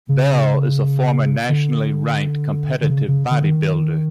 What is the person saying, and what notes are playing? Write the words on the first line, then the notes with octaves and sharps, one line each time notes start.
Bell is a former nationally ranked competitive bodybuilder.
C#3
D3
D3
C#3
C#3
D3
D#3